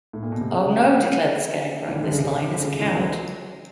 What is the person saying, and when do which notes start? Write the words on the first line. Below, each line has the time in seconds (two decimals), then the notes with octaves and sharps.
"Oh, no;" declared the Scarecrow; "this Lion is a coward."
0.13 A2
0.23 A#2
0.32 B2
0.41 C3
0.50 C#3
1.88 E3
1.96 D#3
2.04 D3
2.11 C#3
2.19 C3
2.53 D3
2.60 C#3
2.80 E3
2.88 F3
2.95 F#3